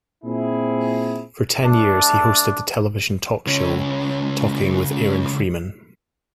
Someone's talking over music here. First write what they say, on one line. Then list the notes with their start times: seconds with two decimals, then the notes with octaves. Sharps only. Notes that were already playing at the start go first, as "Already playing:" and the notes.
For ten years, he hosted the television talk show "Talking with Aaron Freeman".
0.24 A#2 C4 E4 G#4
1.64 A3 D4 A5
3.47 C#2 C#4